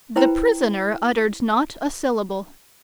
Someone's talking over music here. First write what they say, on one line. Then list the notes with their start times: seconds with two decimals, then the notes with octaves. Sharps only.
The prisoner uttered not a syllable.
0.16 E4 B4 C5 G5 A#5 B5